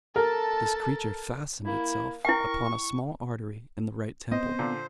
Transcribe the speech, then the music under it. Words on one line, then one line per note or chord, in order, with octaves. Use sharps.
This creature fastened itself upon a small artery in the right temple.
A4 A#4 A5
A#3 E4
E4 A#4 G5 C#6
B3 C4 C5 D#5
A#2 D3